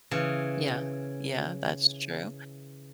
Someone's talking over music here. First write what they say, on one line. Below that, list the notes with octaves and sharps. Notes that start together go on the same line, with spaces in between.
Yeah. Yeah, that's true.
C#3 E3